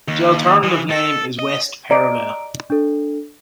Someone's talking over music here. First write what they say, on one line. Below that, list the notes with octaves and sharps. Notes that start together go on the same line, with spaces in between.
The alternative name is "West Perivale".
D#2
E3
A4
D#5
D5 D#5 A#5 D7
D4 A4